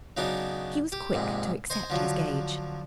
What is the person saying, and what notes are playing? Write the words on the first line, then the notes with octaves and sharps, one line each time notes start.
She was quick to accept his gage.
C#3 F#3 B3 D4 D#4
G4
A#1 G#2 C3
C5 D#5 G#5
D3 F3 F#3